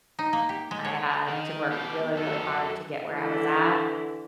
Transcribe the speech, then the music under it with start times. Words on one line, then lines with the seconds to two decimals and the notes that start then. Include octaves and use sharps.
I had to work really, really hard to get where I was at,
0.19 D#4
0.33 A#3
0.49 G4
0.71 G#3
0.85 C#5
1.28 D#3
1.72 B2 G4
2.15 F#2 A4
3.13 D3 E3